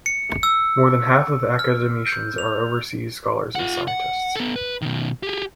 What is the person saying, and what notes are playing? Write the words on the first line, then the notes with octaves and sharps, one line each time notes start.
More than half of the academicians are overseas scholars and scientists.
C#7
E6
F6
G6
F7
F4 F#5
F#5
B3 A4
B4
B2 D#3
G4 G#4